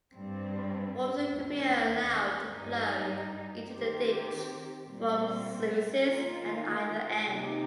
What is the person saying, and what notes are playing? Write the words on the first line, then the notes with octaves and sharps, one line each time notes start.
Water could be allowed to flow into the ditch from sluices at either end.
G2 G3 C4
D#2 D#3 C4
G2 G3 D#4
D#3 C4 G4
A#2 G3 C4
D#3 A#3 F4
C3 D#3 A#3 D#4 G4